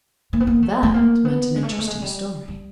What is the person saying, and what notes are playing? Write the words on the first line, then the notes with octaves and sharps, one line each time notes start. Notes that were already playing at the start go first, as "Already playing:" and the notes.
That meant an interesting story.
A#3
B3
A#3
A3
A3
A#3
B3
G#3
A3
G#3
A3
G#3
G3
G3